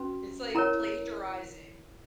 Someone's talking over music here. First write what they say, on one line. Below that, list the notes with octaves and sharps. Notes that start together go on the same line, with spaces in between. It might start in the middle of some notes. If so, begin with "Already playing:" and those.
It's like plagiarizing.
Already playing: C#4 F#4 B4
E4 A#4 C#5 A#5